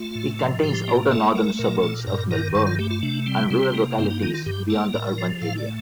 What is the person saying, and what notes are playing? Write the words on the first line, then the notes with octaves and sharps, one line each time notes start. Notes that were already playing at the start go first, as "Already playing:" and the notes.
It contains outer northern suburbs of Melbourne and rural localities beyond the urban area.
Already playing: A3 F4
A2
F3
A2 G4
A#3
A3 A4
A3 A#4
A#2 A#4
A#2 A4
G2 A#4
D#3 A#4
G2 A4
F4
A3 G4
F4
C3 D4
G3 C4
C3 C4
A#3
G2 C4
D#4
D#3 D#4
F4
G2 G4
A#3 A4
A2 A#4
F3
A2 F5
D5
A3